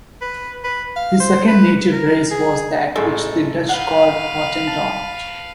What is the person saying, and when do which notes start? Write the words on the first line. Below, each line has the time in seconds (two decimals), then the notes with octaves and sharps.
The second native race was that which the Dutch called Hottentot.
0.21 B4
0.64 B4
0.96 F5
1.20 C5
1.48 B4
1.92 A#4
2.31 G#4
2.96 A1 G#3 A4
3.69 B4 F5 F#5
4.67 A5